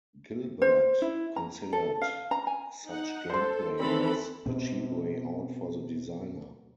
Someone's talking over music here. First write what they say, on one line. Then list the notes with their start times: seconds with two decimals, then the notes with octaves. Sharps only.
Gilbert considered such gameplay as "a cheap way out for the designer".
0.62 C5
1.02 E4
1.36 A#5
1.73 A4
2.01 F5
2.31 A#5
2.47 G#5
2.86 D#4 F#5
3.30 A4 C5 C6
3.80 D#3 E3 C4 A4 B5
4.46 B2 C4